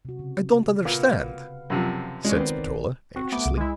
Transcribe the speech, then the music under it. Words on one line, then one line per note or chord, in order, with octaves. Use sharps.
"I don't understand," said Spatola, anxiously.
C3 F#4
C#3
A#2 B4 F5 F#5
F#2 C3 F3
G#3 C#4 D5
D#3 B3 C4 A#4
C4 F#4
A3 B3 D6
C2
G#3 E4